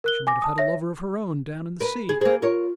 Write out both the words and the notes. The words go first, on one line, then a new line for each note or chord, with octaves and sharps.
She might have had a lover of her own down in the sea.
A#4 F#6 G7
G#5 D6 A#6
A5 D#6
C#5 E5 A#6
A#4 B4
G#4
A#3 G#4 C5
F4 A#4 C#5